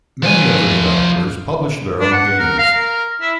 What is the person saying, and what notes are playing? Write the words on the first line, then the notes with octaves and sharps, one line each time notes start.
Many of the developers publish their own games.
F3 G#5
D4
F#5
A#4
F5
A#4
E4